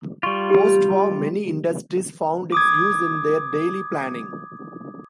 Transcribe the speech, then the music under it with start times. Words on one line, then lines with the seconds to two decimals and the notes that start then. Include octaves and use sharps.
Postwar, many industries found its use in their daily planning.
0.23 G3 F4 C#6
0.50 G4
2.52 D6 D#6 G#6